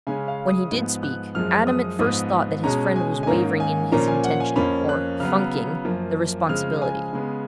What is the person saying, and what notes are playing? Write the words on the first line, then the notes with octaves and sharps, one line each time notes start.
When he did speak, Adam at first thought that his friend was wavering in his intention, or "funking" the responsibility.
C#3 G#3 C#4 G#5
F5
D#6
G#2 F3 B3
F#6
F#2 F3 G#3 F6
D#6
G#2 F3 B3 D#6
B2 G#3 C#4 A#5
G#5
G#5
G#2 D#3 A#3 C#4 A#5
G#5
A#2 F3 A#3 C#4 A#5
G#5
F#5
G#5
F2 F3 A#3 C#4 B5
F#6
C#3 F#3 B3 F6
F#2 F3 A#3
C#3 F3 G#3 F6
G#5
C#3 G#3 B3